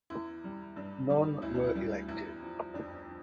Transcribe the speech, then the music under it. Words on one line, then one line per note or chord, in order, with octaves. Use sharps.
None were elected.
E2 E4
G3
G2 D4
G3
D2 E4
D4
E4
G3
E2 E4
F3
F2 D4
F3